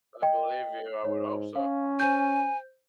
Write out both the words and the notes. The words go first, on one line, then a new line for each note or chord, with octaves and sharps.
I believe you, I would hope so.
D#5 G5
G#2 C#5
C#4 F5
C5 G#5 G6